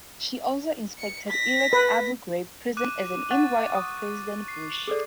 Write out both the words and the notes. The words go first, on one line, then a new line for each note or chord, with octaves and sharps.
She also inspected Iraq's Abu Ghraib prison as an envoy of President Bush.
C#7
A#6 B6
B4
D6 F#6 D#7
F#5 C#6 F#6 A6
D#6
C7
G#4 A4 D5